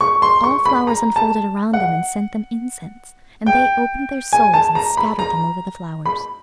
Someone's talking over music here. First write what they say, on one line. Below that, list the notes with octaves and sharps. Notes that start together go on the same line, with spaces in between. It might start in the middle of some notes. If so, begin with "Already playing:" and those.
All flowers unfolded around them and sent them incense; and they opened their souls and scattered them over the flowers.
C#6
C6
C#6
B5
A#5
A5
F#5
G5
G#5
A5
A#5
B5
A#5
B5